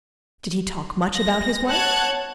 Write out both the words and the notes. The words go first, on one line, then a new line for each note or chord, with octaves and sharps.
"Did he talk much about his wife?"
A#6
C#5 F#5 A5 F#6 G#6